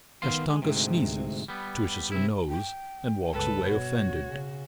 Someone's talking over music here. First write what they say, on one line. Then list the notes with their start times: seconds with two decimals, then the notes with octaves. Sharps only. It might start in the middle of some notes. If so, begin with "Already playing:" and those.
Kashtanka sneezes, twitches her nose, and walks away offended.
0.22 D#3 B3 F5 C6
0.49 G#3
0.62 D2 G#2 C3
1.48 G3 B3
2.12 C3 E4
2.49 G5
3.32 G1 C#2 A4 B4
3.69 B2 F#4 C#5
4.29 C#3